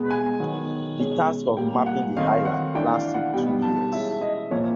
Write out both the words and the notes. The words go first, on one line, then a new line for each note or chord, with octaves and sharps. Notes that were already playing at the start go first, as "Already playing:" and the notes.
The task of mapping the island lasted two years.
Already playing: B2 G#3 B3
G#5
D#3 F#3 B3
B2 G#3 C#4
A#2 G3 A#3 G5
F#5
D#3 F#3 A3 C4 D#4 F5
F#5
E3 A3 D4 G5
F5
F#5
B2 G3 B3 D#4 G5
A5
E3 G#3 C#4 E5
D#5
A#2 F3 A#3 C#5